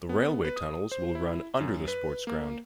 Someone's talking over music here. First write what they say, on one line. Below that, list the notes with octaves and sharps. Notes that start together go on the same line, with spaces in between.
The railway tunnels will run under the sports ground.
B3
B4
D#6
C5
E4
F#2
B4
A#3